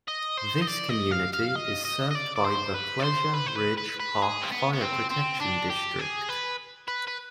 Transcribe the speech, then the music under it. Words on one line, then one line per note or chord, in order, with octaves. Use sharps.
This community is served by the Pleasure Ridge Park Fire Protection District.
D#5
C5
D#5
D5
D#5
F5
F5
D#5
D#5
D#5
D5
D5
C5
B4
D5
C5
B4
C5
B4
B4
B4
G#4
C4
B3
B3
C4
C4
D4
G4
G#4
B4
B4
B4